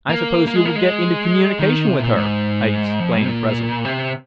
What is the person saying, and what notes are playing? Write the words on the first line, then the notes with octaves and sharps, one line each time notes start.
"I suppose you will get into communication with her," I exclaimed presently.
A#3
A#3
G#3
A#3
G#3
D#3
C3
A#2
G#2
F2
C3
A#2
C3